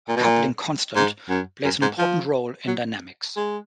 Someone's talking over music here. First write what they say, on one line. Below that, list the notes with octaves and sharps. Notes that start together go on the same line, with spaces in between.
A coupling constant plays an important role in dynamics.
A#2
B2
A#2
G#2
F#2
F#2
G#2
F3
F#3
G#3